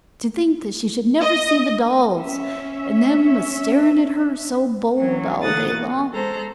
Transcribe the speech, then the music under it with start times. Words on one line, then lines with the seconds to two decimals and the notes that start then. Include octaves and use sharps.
To think that she should never see the Dolls--and them a staring at her, so bold, all day long!
1.21 D#5
2.17 C#4 E5
4.97 E3 F#3 C#4
5.41 D3 E3 A#3 F#5 D#6 A6
5.74 B2
6.11 G#3 A4 C5 A#5